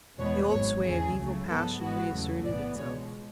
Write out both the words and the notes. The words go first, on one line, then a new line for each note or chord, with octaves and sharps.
The old sway of evil passion reasserted itself.
E2 B2 G#3 B3 C#5
G#1 G#2 F#3 C#5
E2 C#3 E3 A3 G#4
C#2 C#3 F#3 A3
G#2 F#3 B3 A4
G#1 G#2 G#3 B3 F#4
E2 C#3 F#3 A3
B1 A2 E3 B3 D5
C#2 B2 G#3 C#5